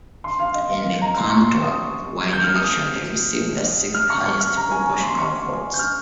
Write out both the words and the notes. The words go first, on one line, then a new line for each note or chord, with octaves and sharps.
In the canton-wide election they received the sixth highest proportion of votes.
C6
F5
D#5
F5
A#5
C6
C#6
C6
D#6
G#6
G6
F6
D#6
F6
C#6
C#6
F6
A#5
G#5
G#5
C6
C#6
G6
F6